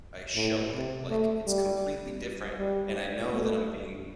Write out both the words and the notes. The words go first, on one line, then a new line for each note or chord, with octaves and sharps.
I show it, like, it's completely different, and I know that I'm being
A2
C3
A3
G3
G3
A3